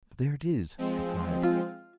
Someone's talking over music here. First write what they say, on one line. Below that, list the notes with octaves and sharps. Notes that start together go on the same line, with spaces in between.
"There it is!" I cried.
F3 G#3 C4
F4